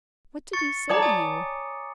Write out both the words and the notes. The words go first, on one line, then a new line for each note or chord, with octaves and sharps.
"What did he say to you?"
C#6 A6 C#7
C#5 D5 A5 A#5 D6 D#6
G#5 D#6